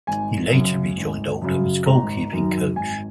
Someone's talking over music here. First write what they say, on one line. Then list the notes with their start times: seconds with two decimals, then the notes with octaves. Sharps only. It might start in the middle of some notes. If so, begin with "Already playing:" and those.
He later rejoined Oldham as goalkeeping coach.
0.07 G#1 G#5
0.52 F#2 C#3 F#3
0.97 G#1
1.42 F#2 C#3 F#3
1.86 G#1 A#5
2.31 F#2 D#3 F#3
2.76 G#1 G#5